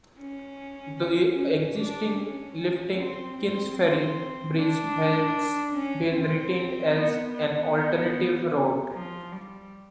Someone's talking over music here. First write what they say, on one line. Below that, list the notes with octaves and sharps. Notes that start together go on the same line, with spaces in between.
The existing lifting Kingsferry Bridge has been retained as an alternative route.
C#4
C#4
D4
C#4
C4
C4
C4
D4
C#4
C4
B3
B3
F3
G3